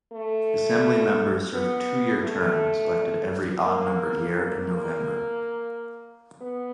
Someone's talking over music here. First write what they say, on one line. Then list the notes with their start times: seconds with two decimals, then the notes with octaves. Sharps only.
Assembly members serve two-year terms, elected every odd-numbered year in November.
0.12 A3
1.52 B3
2.22 A3
3.62 A#3
4.32 A#3
6.42 B3